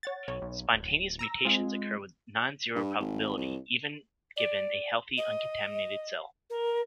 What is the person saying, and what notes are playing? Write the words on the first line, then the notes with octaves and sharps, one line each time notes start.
"Spontaneous mutations" occur with non-zero probability even given a healthy, uncontaminated cell.
C#5 F#5 A6
B1 C#5
B1
D1
A#5 E6 A#6
G#3 C4 F4
G2
G#1
C2
D5
D#5
A#4